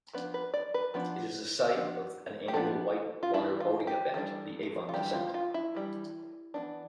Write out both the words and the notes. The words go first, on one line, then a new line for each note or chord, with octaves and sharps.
It is the site of an annual whitewater boating event, the Avon Descent.
F3 B3 D4 B4
B4
D5
B4
F3 B3 D4
F3 B3 D4
G4
F3 B3 D4 A4
F4
E3 G3 D4 E4
F4
G4
E3 G3 D4 A4
F4
E3 G3 D4 G4
F4
F4
E4
E3 G3 D4
E3 B3 D4